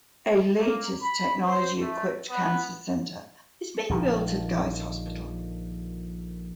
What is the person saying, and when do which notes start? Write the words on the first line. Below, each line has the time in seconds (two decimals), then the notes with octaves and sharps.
A latest-technology-equipped Cancer Centre is being built at Guy's Hospital.
0.57 A#3
1.02 B5
1.45 C5
1.78 A3
2.30 B3
3.89 A#1 D3 D#3 F3